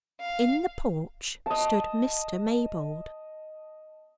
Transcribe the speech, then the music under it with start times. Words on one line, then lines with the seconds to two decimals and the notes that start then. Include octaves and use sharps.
In the porch stood Mr. Maybold.
0.20 F5
1.46 D#5 A5